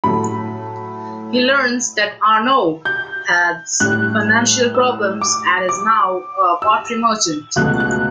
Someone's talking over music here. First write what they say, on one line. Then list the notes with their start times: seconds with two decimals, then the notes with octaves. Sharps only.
He learns that Arnoux has financial problems and is now a pottery merchant.
0.04 A2 F#3 A3 B5
2.85 G6
3.80 A2 G3 F#6
4.75 E6
5.21 D6
5.69 D6
6.62 E6
7.56 C#2 B2 F#3 A3 F#6
7.80 F#6